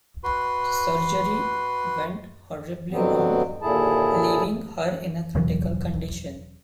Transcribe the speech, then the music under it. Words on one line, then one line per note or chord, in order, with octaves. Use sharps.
The surgery went horribly wrong, leaving her in a critical condition.
F#4 B4 C6
G2 B2 D3 F#3 B3 C4
D#2 A#2 D3 E4 G#4 A5
E1 C#3 E3 F#3